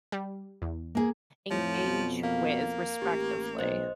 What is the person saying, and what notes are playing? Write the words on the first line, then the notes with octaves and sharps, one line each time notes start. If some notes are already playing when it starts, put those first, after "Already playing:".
engage with respectively.
G3
E2
A#3 G#4
F2 A2 F3 C#5
B2
A#3 F5
A1 G4
B1 C5 D#5